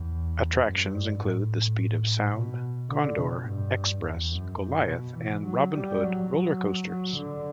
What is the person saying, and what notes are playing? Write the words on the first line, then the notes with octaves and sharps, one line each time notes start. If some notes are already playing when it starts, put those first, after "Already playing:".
Attractions include the Speed of Sound, Condor, Xpress, Goliath and Robin Hood roller coasters.
Already playing: E2
F#2
G2
A2
B2
D3
B2
G2
E2
F#2
F#2
B2
E3
F#3
G3
F#3
F#3
F#3
D3